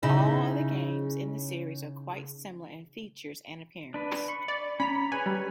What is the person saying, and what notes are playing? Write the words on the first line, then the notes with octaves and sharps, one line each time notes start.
All of the games in the series are quite similar in features and appearance.
C#3 D#4 E4
D4 B4
B5 C#6
D5
C#4 A#5 B5 B6
G#4 B4 C#5 G#5
G3